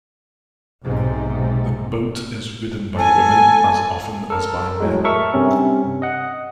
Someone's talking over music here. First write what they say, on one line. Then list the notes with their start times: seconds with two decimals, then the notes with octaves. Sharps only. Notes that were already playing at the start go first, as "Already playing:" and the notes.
The boat is ridden by women as often as by men.
0.83 B1 G#2 C3
2.96 A4 G#5
4.30 A4 A#4
4.80 A2 F#3 G#3
5.04 A4 A#4 E5 C#6
5.34 G2 C3 C4 C#4
6.02 D#5 F#5